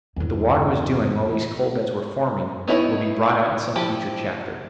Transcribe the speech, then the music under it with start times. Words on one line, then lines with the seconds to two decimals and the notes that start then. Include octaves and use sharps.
What the water was doing while these coal beds were forming will be brought out in some future chapter.
0.16 G1 E2
2.68 B3 D#4 E4 G#4 C#5
3.76 F3 E4 G4